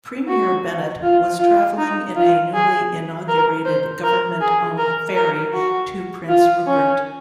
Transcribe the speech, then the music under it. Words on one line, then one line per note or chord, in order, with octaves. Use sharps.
Premier Bennett was travelling in a newly inaugurated government-owned ferry to Prince Rupert.
F#4
F4
F4
D#4
F4
G#4
A#4
C5
A#4
G#4
A#4
A#4
F#4
F4
C#4